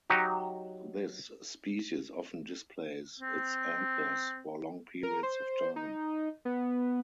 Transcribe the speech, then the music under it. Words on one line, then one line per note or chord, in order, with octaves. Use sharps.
This species often displays its anthers for long periods of time.
F#3 D#4 F#4 G4
C4
A#4
C5
D#4
B3